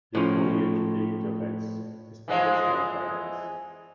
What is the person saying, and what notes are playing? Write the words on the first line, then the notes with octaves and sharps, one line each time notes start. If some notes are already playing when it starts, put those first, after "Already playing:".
Le "Courrier du pays de Retz" is published on Fridays.
A2 F3 C#4
E3 F3 G#3